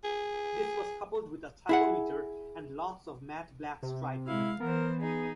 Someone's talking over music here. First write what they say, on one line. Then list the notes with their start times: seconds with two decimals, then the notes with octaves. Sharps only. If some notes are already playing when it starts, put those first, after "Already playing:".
This was coupled with a tachometer and lots of matte black striping.
0.04 G#4
1.69 E4 G#4 F#5
3.83 C3
4.26 G#3 E4 F5
4.60 E3 B3 A#4 C5
5.00 D#4 G#4